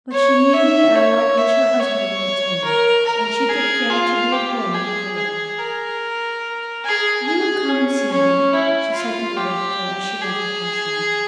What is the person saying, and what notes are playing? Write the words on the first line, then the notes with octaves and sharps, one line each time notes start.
But she knew the hour at which her husband would return, and she took care to be at home when he arrived. "You will come and see him?" she said to the rector, as she left the parsonage.
C#5
E5
C#5
E5
C#5
A#4
A#4
G#4
F4
G4
G#4
G#4
A#4
G#4
G#4
C#4
C#4
E4
F4
G4
G#4